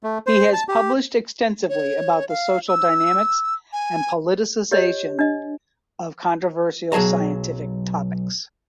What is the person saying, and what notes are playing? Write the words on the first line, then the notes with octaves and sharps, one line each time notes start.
He has published extensively about the social dynamics and politicisation of controversial scientific topics.
A3
C5
A5
G4
C#5
F5
E6
G#5
G4 C#5 D#5
D4 D#5
B1 F#3 G#4 A5 A#5